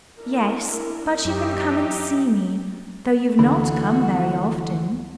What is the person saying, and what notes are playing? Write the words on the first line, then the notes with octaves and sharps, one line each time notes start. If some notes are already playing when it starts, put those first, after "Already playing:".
"Yes, but you can come and see me; though you've not come very often."
D4 E4 A#4
F#2 E3 C#4 D#4 G4 E5
D2 D3 E3 F#4 F#5 B5